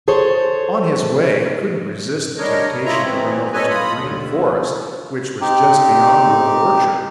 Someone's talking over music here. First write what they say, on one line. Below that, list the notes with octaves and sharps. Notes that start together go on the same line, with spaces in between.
On his way he couldn't resist the temptation to run over to the Green Forest, which was just beyond the Old Orchard.
G#4 A4 C5 C#5
G3 D4 A#4 C#5 D#5
E4 F4 C#5 D#5 E5 A#5
E3 C4
A4 B4 C#5 D#5 G#5
F4 B5 D#6
D#2 D3
C4 D#4 G4